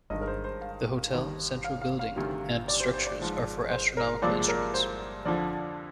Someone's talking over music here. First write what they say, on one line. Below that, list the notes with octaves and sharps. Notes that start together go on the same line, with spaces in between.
The hotel, central building and structures are for astronomical instruments.
G2 D#3 G#3 D#5
A#4
C5
C5
F5
D#2 D#3 G3
F5
F5
F5
D2 C3 D#3 G3
D5
C5
C5
D5
G#2 F3 G#3
C5
A#4
C2 A#2 F3 G#3 D5
A#4
C5
F2 D3 F3 D5